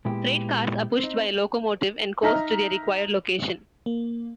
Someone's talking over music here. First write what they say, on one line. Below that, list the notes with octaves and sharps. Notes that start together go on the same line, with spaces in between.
Freight cars are pushed by a locomotive and coast to their required location.
A#2 G#3 B3 E4 G4
C4 D#4
D#4 D#5 E5 A#5 F6
A#3